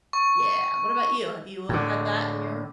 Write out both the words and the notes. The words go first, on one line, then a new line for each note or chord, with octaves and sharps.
Yeah, what about you? Have you had that in your
C#6
A2 D3